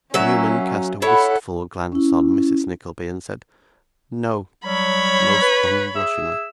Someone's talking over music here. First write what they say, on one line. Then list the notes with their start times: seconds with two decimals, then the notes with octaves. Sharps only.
Newman cast a wistful glance on Mrs Nickleby and said 'No,' most unblushingly.
0.14 F#3 A#3 C#4 E5
1.02 E4 A4 C#5 F#5
1.92 C#4 E4
4.65 F#3 G3 C#5 B5
5.42 B4
5.96 G#4 E5 E6